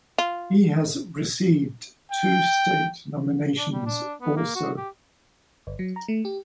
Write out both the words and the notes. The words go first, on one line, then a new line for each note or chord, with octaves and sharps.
He has received two state nominations also.
F4
G5
D4
G3
D4
B3
A#3
F#4
G4
G1
F#3
A#5
A3
G4